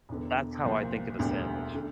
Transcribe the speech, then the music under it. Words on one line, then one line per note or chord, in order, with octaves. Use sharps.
That's how I think of a sandwich.
E1 E2 D3
C2 A#2 F3 C4
E1 D2 D3 G3
D3 A3